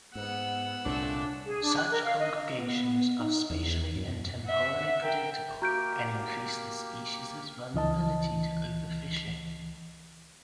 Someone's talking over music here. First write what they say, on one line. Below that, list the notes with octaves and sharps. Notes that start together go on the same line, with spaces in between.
Such congregations are spatially and temporally predictable and increase the species' vulnerability to overfishing.
G#2 B3 F#5 E6
C2 A#2 F3 A3 C#4 D4 E6
G#4
D4
F#6
A#4
F5
D#5
B3
D#4
E2
F#2
E5 F#5
A#4 G5
A#3 F#4 G4 A#4 A#5 G6 D7
C#2 E3 D#5 A5